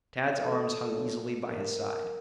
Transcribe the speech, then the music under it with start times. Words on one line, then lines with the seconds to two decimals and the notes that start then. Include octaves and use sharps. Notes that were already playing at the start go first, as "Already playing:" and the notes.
Tad's arms hung easily by his side.
0.35 F2 C3 E3 A3 D4 A4
0.90 F#2 D3 F#3
1.45 D2 C3 E3 G3 A#4